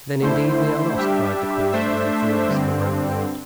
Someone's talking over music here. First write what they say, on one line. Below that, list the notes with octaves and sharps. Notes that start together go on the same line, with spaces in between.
"Then indeed we are lost!" cried the queen, in the fullness of a broken heart.
D3 A3 E4 C5
G3 D4 G4 E5
A3 D4 C5 E5
G2 D3 C4